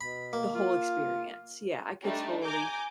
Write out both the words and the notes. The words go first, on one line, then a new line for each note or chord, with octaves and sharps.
the whole experience. Yeah, I could totally s
B2 B5
A#3
F4
G3 A3 D4 D#4
G#5 A#5 D6 G6